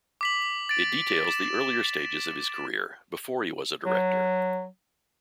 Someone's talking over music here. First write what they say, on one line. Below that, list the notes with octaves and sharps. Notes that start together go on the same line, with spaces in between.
It details the earlier stages of his career, before he was a director.
D6 B6 F#7
A6 D7
A6 E7
F#3